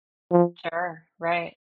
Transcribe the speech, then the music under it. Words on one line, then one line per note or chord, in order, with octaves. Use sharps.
Sure, right.
F3